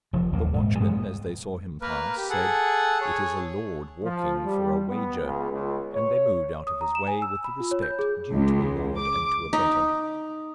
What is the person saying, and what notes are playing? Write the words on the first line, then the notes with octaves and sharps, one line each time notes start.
The watchmen, as they saw him pass, said, "It is a lord walking for a wager," and they moved out of his way with the respect due to a lord and to a better.
F1 F3
F#1 D#2 A#3
D#1 G#2
G2 G#3 B3
A#3 A#4 B4
G4
G#4 A4 F#5
G#4 C#5
F3
G3
B3
C#2
C#2
C#5
D#6
A#5
E7
G#5
E6
B5
F4
C#5
G6
G#4
C#2
D6
D#4